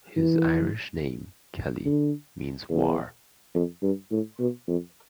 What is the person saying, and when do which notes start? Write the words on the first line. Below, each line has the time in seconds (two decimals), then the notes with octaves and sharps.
His Irish name, Kelly, means "War".
0.16 E3
1.86 D3
2.70 E2
3.55 F2
3.83 G2
4.11 A2
4.40 B2
4.68 F2